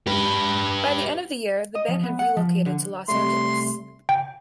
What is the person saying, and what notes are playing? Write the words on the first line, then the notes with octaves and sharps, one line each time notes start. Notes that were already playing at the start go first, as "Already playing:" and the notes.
By the end of the year, the band had relocated to Los Angeles.
G4 B4
D#5
F3
B3
F#5
F3
D3
C3 G3 A3 C6
G5